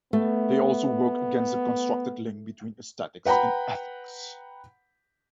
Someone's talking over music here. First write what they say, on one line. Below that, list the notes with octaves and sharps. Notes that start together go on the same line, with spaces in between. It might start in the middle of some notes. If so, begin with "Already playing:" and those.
They also work against the constructed link between aesthetics and ethics.
A3 B3
B4 F#5 G5 A#5 B5